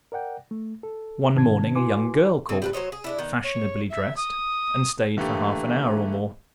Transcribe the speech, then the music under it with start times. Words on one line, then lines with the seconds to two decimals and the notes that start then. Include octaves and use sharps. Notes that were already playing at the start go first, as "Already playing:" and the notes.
One morning a young girl called, fashionably dressed, and stayed for half an hour or more.
0.12 A#4 D5 F#5 G5
0.51 A3
0.83 A4
1.35 G#2 C3 D#3 C#4 A5 G#6
1.75 E4 F#4 B4 G#5 C6 D6
2.49 C#3 C4 D#4 G#4
2.62 G3 G#3 B4
2.73 F#3 C5 C#5 D#5
2.92 G#4
3.04 G#3 D4 E4
3.19 D#3 B3
3.44 C#5
3.90 E5
4.16 D#6
5.17 D3 E3 A3 A#3 G4